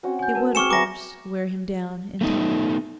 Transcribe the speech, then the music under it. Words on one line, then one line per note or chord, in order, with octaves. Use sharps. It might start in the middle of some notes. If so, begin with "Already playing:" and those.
It would, of course, wear him down in time.
C4 C#4 F#4
G#5 G6
A#4 B4 A5
C4 G#4 G#5 C#6 D6 F6 C#7 E7
B3 E5 G#5 A#5 D6 A#6
A3 B3 D#4